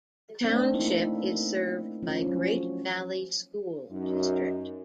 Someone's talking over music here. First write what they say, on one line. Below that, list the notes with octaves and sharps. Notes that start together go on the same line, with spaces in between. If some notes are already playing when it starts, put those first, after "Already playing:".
The township is served by Great Valley School District.
A3 C4 D4
A#3 D#4 E4
F3 C#4
F#3 C#4
F#2 D#4